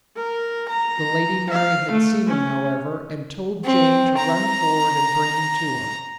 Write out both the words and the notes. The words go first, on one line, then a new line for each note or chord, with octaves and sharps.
The Lady Mary had seen him, however, and told Jane to run forward and bring him to her.
A#4
A#5
F5
A3
C#4
C4
A#5